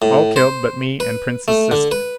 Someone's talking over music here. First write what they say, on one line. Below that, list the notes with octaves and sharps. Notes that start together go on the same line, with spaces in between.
All killed but me and Prince's sister.
A2
C5
B4
A3
D3
B4